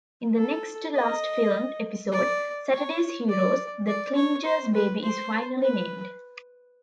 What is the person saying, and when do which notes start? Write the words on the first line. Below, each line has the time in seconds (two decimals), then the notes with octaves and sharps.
In the next-to-last filmed episode, "Saturday's Heroes", the Klingers' baby is finally named.
0.36 A4
0.95 D#5
2.12 D5
2.71 C#5
3.29 D5
3.87 D5
4.15 C#5
4.45 C5
4.74 B4
5.03 C5
5.62 B4